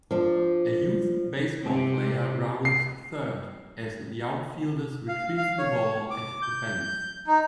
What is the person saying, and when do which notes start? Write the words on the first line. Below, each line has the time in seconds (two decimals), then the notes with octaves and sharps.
A youth baseball player rounds third as the outfielders retrieve the ball at the fence.
0.11 F3 D4
1.63 C3
2.65 C7
5.08 F5
5.37 F5
5.59 C#5
6.11 D6
6.42 G6
7.27 D#4